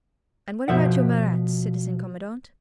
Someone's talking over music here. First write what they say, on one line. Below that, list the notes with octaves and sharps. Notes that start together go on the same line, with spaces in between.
"And what about your Marats, citizen commandant?"
B2 F3 E5 F#5